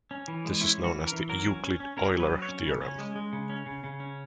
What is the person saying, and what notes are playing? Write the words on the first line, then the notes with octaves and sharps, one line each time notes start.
This is known as the Euclid-Euler theorem.
C#4
E3
G#3
C#4 E4
E3
F#4
E3
A#4
E3
F#3 A#4
C#4
C#4
C#4
C#4 A#4
F#3
B4
F#3
C#5
C#4
C#3
C#4
G#3
G#3
C#3
C#4
C#3
C#3
C#4